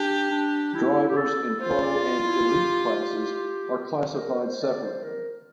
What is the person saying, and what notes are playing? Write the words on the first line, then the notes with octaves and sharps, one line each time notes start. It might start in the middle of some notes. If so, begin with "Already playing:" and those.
Drivers in Pro and Elite classes are classified separately.
Already playing: D4 G4
D4
E4
G4
A4
F4 C5
D5
E4
G4
C5
A#4
C5
D5
C5
A#4